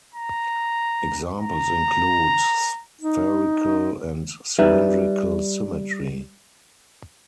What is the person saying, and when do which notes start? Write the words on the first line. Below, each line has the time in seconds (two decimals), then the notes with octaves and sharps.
Examples include spherical and cylindrical symmetry.
0.15 A#5
1.38 A#5
3.02 D#4
4.59 G3 D#4 B4 E5